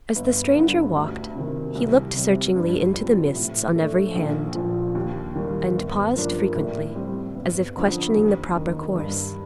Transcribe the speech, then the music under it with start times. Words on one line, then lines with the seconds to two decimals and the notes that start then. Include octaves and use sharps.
As the stranger walked, he looked searchingly into the mists on every hand, and paused frequently as if questioning the proper course.
0.15 G1
0.56 G2 D3
0.96 D2
1.35 C3 D#3
1.75 C2
2.16 C3 G3
2.56 G2
2.96 F3 C4
3.35 A2
3.76 A3 D4
4.15 A#1
4.55 A#2 F3
4.95 D#2
5.35 D#3 G3
5.75 G1
6.15 G2 F3 A#3 D4
6.55 A2
6.95 G3 C4
7.35 G1
7.76 F2 D3
8.16 D#2
8.55 D#3 A#3 D#4
8.96 G2